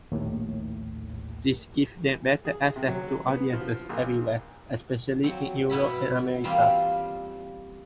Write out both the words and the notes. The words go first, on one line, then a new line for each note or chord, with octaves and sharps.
This gave them better access to audiences everywhere especially in Europe and America.
A#1 D#2 A2
G#4
C3
F#3
B3
F3
A#1
F#3 C4
B2 B3 E4 B5
E3 G3 A#3 C4 F4